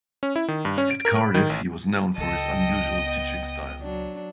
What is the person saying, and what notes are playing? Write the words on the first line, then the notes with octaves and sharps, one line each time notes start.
At Cardiff he was known for his unusual teaching style.
C#4
E4
D#3
G2
C#4
D7
A#4
B5
D#3
A1
C#2 A4 D#5 G5 D#6
B3
F#3 D4